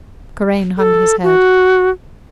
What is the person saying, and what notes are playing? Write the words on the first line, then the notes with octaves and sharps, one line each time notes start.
Karain hung his head.
A4
F#4